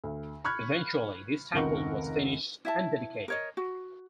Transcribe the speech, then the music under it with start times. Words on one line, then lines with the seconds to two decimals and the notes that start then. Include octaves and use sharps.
Eventually, this temple was finished and dedicated.
0.04 D2
0.44 B5 C#6 F6 F#6 G#6
1.54 F1 C#2 D#3 A#4 F#5 C#6
2.65 E4 E5 A5
3.28 A#4 C#5 D#5
3.57 F#4